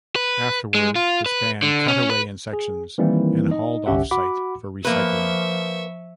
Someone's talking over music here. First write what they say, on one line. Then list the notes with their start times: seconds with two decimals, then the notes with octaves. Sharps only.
Afterwards, the span cut away in sections and hauled off site for recycling.
0.16 B4
0.75 G#3
0.96 F4
1.26 B4
1.63 D3
1.88 C#4
2.10 B4
2.53 G#4
2.98 D#3 E3 G3 A#3 C4 E4
3.51 D#4 D#5
3.86 G1 C2 C#4 G4 E5 F#5
4.11 F#4 F#5 B5 D6
4.85 F3 A#3 B4 E5 C#6